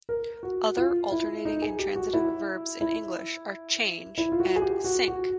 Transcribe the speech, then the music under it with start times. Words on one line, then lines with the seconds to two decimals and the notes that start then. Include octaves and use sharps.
Other alternating intransitive verbs in English are "change" and "sink".
0.09 A#4
0.43 F#4
0.77 F4
1.12 E4
1.45 D#4
1.62 G#4
1.79 G4
1.96 F#4
2.13 E4
2.81 E4
4.18 E4
4.32 F4
4.40 F#4
4.56 G#4
4.62 G4
4.84 F#4
5.08 F#4